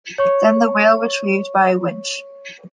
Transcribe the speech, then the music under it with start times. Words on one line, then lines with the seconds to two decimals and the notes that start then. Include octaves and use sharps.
Then the whale was retrieved by a winch.
0.18 C#5 C#6